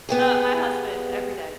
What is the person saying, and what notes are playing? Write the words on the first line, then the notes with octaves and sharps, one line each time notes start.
Uh, my husband, every day,
B3 G4 G#4